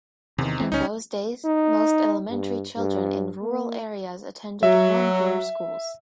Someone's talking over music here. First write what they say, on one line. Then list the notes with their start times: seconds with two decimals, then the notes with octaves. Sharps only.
In those days, most elementary children in rural areas attended one-room schools.
0.38 E2 C3 D#3
0.60 E3 C4
0.72 C#2 C#4 D#4
1.45 D#4
2.30 G2
2.77 G2
3.42 A#3
4.63 F#3 E5